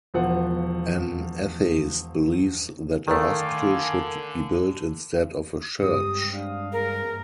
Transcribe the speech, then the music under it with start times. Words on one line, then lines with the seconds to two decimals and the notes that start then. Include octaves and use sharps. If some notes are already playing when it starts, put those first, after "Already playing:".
An atheist believes that a hospital should be built instead of a church.
0.14 E1 F3 F#5
3.08 D3 D#3 A3 A4 A#4 D5 F5 G#5
5.82 G2 G#3 C4 G4 D#6
6.34 D4 F5
6.72 E3 A#3 G#4 A#4